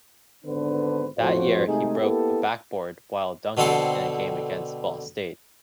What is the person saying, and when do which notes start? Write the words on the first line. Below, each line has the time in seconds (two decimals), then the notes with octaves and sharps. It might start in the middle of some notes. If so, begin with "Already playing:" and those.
That year he broke a backboard while dunking in a game against Ball State.
0.45 G#1 D3 B3 D4 B4 C5
1.19 F2 A2 F3 F#4 C5
1.67 C3 G#3 A3 D#4 G#4
2.00 A#3 B3 E4 G4 A4
3.57 B2 D3 C4 A4 C6